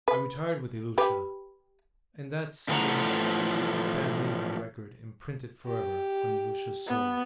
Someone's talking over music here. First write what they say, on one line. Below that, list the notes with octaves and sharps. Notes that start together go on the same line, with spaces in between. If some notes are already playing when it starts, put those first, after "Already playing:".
I retired with Ilusha, and that scene is a family record imprinted for ever on Ilusha's soul.
B4
G4 B4
A2 E3 F3 A3 F#5 A#5
G4
B3